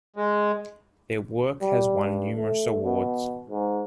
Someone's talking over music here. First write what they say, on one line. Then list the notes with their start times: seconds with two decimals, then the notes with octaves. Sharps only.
Their work has won numerous awards.
0.16 G#3
1.62 G3
2.04 G2
2.36 A3
2.84 B2
3.50 G#2